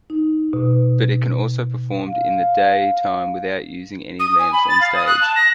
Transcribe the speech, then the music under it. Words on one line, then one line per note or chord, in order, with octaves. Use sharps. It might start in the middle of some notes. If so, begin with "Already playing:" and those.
But it can also performed in day time without using any lamps on stage.
D#4
B2
F5
D#6
G#5
B5
A6
F5
D#6
F#6
A5
A#6